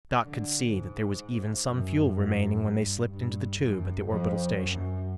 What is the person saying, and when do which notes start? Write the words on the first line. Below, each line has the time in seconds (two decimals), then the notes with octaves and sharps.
Doc could see that there was even some fuel remaining when they slipped into the tube at the orbital station.
0.23 D3
0.71 G#2
1.67 F#2
2.63 G2
3.12 G2
3.60 F#2
4.07 F2
4.56 F#2